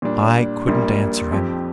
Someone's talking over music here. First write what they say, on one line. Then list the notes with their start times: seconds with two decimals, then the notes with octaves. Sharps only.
I couldn't answer him.
0.02 A#2 G3 D4
0.67 A#1 A#2 G3 A#3
1.31 F2 F3 C4 G4